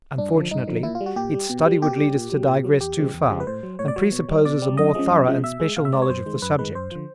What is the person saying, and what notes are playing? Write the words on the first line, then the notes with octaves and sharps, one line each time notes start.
Unfortunately its study would lead us to digress too far, and presupposes a more thorough and special knowledge of the subject.
G2 D4
D3 F3
G2 D#4
D3 F3
A#2 E4
F4
G3
F#4
A#2 G4
G3
B2
G3
B2 G4
G3
A#2
F#3
A#2
F#3
E2 G4
C#3 F3 G#3
E2
C#3 F3 G#3
B4
A2 C5
F#3
A2 C#5
D5
F#3 C#5
B2
G3
B2 D5
G3
F#2 D#5
C#3 F3 G#3
F#2
C#3 F3 G#3
B2 E5
G#3
B2 F5
E5
G#3 D5
C#5
F#2 C5
D#3 G#3
F#2 B4
D#3 G#3 B4
F#2 C5
D3 F3